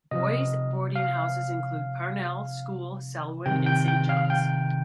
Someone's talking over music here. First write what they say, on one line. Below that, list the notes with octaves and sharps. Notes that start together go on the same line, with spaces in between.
Boys' boarding Houses include Parnell, School, Selwyn, and Saint John's.
C3 F3 D#5
F5
C3 D#3 G5
G5
G5
F5
G5